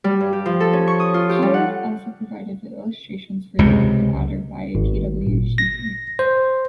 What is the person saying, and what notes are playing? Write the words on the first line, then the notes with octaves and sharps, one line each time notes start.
Howarth also provided the illustrations for "Doctor Adder" by K. W. Jeter.
G3
G2
G4
F3
A4
C#4
C#6
D#6
F4
G4
G3
F#5
C#2 C3
G#1
A#2
A#6
C5